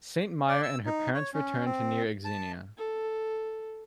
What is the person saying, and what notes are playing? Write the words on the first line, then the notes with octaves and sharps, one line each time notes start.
Santmyer and her parents returned to near Xenia.
D5
E6
D#4
C#5
C#4
C4
A5
A4